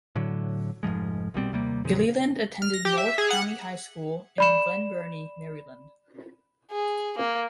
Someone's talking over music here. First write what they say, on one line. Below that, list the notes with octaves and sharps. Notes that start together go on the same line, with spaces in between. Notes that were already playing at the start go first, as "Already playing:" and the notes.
Gilleland attended North County High School in Glen Burnie, Maryland.
A2 D3 F#3
F1 G#2 F3 G#3
A#1 B2 G3 C4
D#2 C3 G3 A#3
E2 A#2 C#3 F3
F6
A#6
G4
E5
G#4
F#5
D5 B5 E7
G#4
A#3